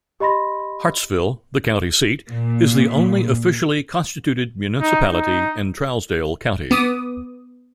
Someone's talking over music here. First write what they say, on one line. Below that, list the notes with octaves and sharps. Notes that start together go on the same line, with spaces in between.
Hartsville, the county seat, is the only officially constituted municipality in Trousdale County.
G4 D#5 B5 C6 A#6
A#2
D#4
D#4
B3 D6 D#6